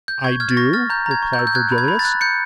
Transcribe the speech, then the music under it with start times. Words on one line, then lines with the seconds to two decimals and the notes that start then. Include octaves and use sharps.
'I do,' replied Virgilius.
0.08 G6
0.24 C#6 G#6
0.40 F6 G#6
0.50 A6
0.57 C#6 A#6
0.73 F6 A6
0.90 A#5 G6
1.06 A#5
1.11 G#6
1.22 C#6
1.33 G6
1.39 E6
1.47 G6
1.55 F#6 G#6
1.72 B5
1.78 G#6
1.88 B5
1.99 A6
2.05 F#6
2.21 G6 C#7